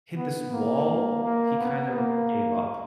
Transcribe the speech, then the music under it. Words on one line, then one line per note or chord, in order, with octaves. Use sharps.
hit this wall, he kind of gave up,
B3
A#3
A#3
B3
A#3